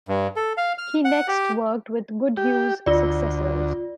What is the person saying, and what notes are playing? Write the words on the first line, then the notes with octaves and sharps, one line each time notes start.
He next worked with Goodhue's successors.
G2
A4
F5
F6
F#5
G4
G4
D2 F4 D5